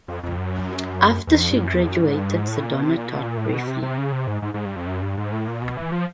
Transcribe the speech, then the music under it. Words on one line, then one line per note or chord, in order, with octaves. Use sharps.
After she graduated Sedona taught briefly.
F2
F2
F#2
E2
F2
G2
F#2
E2
F#2
G#2
G2
G#2
A2
A#2
B2
C3
A#2
B2
A#2
A2
B2
C3
C3
C#3
C3
G#2
G#2
G#2
G2
F2
F#2
G2
G#2
A2
A#2
B2
E3
F3